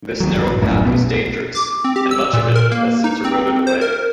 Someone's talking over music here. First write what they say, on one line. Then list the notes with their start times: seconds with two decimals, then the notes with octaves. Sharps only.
This narrow path was dangerous and much of it has since eroded away.
0.20 D#3 F#3
0.35 A#1 G2
0.62 D#1 A#1 F#2 A2
0.85 B1 B2 B3
1.55 D6
1.84 C4
1.96 G4
2.11 E6
2.33 A#2
2.55 A#4
2.72 A#3
3.04 D#4
3.24 C4
3.67 C5
3.81 A#4